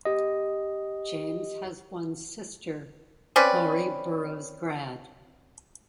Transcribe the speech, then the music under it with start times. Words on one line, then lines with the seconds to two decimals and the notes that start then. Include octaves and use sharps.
James has one sister, Laurie Burrows Grad.
0.05 G4 D#5
3.36 C4 C#4 B4 D5